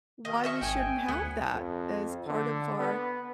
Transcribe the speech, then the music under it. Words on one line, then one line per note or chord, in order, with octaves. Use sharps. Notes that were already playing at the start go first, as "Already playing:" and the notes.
why we shouldn't have that as part of our,
B2 D#3 D#5
D#5 E5 C#6
G#1 G5 G#5
D2 B3 F#5
F2
D3
B3